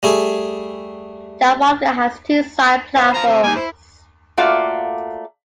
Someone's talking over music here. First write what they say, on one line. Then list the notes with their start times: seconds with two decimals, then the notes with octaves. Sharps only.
Trafalgar has two side platforms.
0.03 G3 A3 G#4
2.97 C5 C#5 F5
3.14 C5 F5 A#5
3.27 C4 C5 E5
3.44 A#3 D#4 G#5
3.56 E4 C5
4.38 A3 A#3 F4 F#4 D5 F5